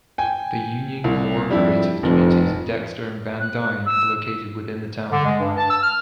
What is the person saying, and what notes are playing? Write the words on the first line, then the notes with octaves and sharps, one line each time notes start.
The unincorporated communities of Dexter and Van Dyne are located within the town.
G5 G#5
C2
F2 G3 D4 E4
F1 F2
F#6
E6
D3
G#3
G2
A5
E6
F6